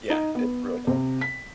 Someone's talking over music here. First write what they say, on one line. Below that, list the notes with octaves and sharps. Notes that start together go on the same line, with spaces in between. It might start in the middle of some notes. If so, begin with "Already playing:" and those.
Yeah, it's really cool.
D#4
B3
C3
B6